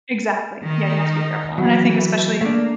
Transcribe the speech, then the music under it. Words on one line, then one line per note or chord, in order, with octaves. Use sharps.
exactly, yeah, you have to be careful, and I think especially
D#3 D#4
E3 F#3
A3 A#3 D4